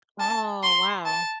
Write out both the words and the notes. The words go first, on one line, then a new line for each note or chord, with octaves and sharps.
Oh, wow.
A5
C6
A5